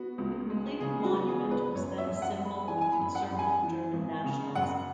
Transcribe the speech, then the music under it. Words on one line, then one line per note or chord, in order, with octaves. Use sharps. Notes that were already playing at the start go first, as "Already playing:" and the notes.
The completed monument was then a symbol of conservative German nationalism.
Already playing: B3 F#4
C#2
G#3
C#3 G#4
F#4
B3
G#4
C#2
B4
F#2 C#5
E5
F#2
F#5
G#3
B5
E3 G#5
G#5
B5
F#2
F#5
F#2 B5
G#5
E3
G#1
C#3
F#2 F#5